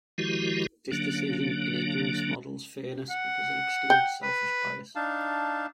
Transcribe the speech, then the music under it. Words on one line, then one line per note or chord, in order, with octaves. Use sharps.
This decision-in-ignorance models fairness because it excludes selfish bias.
D#3 F3 G#3 E4 F#4 G4
D3 F#3 A#3 D4
F#5
G5
B4
D4 D#4 F5 A5